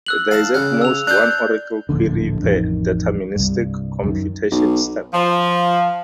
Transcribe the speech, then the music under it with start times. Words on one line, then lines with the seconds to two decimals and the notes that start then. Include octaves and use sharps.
There is at most one oracle query per deterministic computation step.
0.06 E6 F#6 F#7
0.31 F5 A5
0.54 C#3 C#4 F#6
0.81 E6 F7
1.07 D4 C5 F#6 G6
1.89 D1 A#1 D3
2.41 A1 F2 D#3
3.36 C2 G2
4.03 F#2 D#3
4.51 B1
5.13 F3